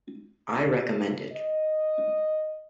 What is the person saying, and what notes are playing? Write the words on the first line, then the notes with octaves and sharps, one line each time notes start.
I recommend it.
D#5